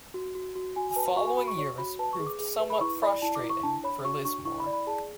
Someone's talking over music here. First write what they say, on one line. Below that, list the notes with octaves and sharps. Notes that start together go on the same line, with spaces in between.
The following years proved somewhat frustrating for Lismore.
F#4
F#4
F#4
F#4 G#5
G#5
B4 A5
F#4 C#6
G#5
F#4 B5
C#6
C#5 C#6
F#4 B5
B4 A5
C#6
G#4
D6
G#4
B4
B5
E4 C#6
D5 B5
E4 A5
D6
E4
C#6
D4 A5
C#5 B5
F#4 C#6
D4 C#6
E4 C#6
B5
D5
B5
G#4 A5